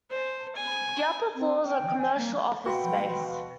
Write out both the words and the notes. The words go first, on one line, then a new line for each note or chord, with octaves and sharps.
The upper floors are commercial office space.
C5
G#5
C4
G5
G#5
A#3
B2 F#4 F5 G5 B5 C6